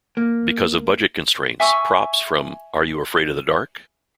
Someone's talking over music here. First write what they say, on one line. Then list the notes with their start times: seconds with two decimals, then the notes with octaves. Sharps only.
Because of budget constraints, props from Are You Afraid of the Dark?
0.17 A#3
1.60 E5 G#5 C#6 E6